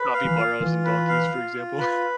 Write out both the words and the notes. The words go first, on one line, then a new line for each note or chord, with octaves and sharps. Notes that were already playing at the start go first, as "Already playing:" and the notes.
capibaras and donkeys, for example.
Already playing: B4
F5
E3
F4
E3 F4
B4
F5
F4
F4
B4